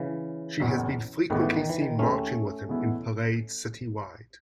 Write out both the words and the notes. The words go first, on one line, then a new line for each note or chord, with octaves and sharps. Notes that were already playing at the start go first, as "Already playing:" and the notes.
She has been frequently seen marching with him in parades citywide.
Already playing: C#3 E3
F#1 E2 B2 F#3
A1 A2 D#3 G#3 B3
E3
D#3
E3
D#3
D#2 D#3 G#3 A3 C#4 D#4
E2 B2 G#3 B3 E4